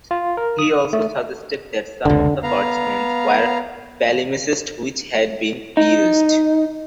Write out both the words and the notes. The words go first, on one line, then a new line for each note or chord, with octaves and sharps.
He also suggested that some of the parchments were palimpsests which had been reused.
F4
A#4
D#6
A3
F1 C#2 D3
B3 F5 A#5
D#4